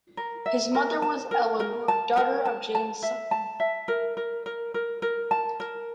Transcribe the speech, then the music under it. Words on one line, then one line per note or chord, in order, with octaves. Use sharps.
His mother was Eleanor, daughter of James Sutton.
A#4
E5
A#4
A5
A#4
A#4
A5
A#4
A5
A5
E5
A5
E5
A#4
A#4
A#4
A#4
A#4
A5
A#4